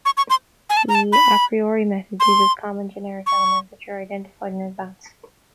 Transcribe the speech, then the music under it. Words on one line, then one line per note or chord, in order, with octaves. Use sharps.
The apriori method uses common generic elements which are identified in advance.
C#6
C#6
C6
G#5
A5
A#5
A5
B5
C6
C#6